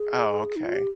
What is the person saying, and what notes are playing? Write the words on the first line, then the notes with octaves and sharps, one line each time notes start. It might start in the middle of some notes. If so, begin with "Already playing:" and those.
Oh, okay.
Already playing: G#4
D#4
F4
G4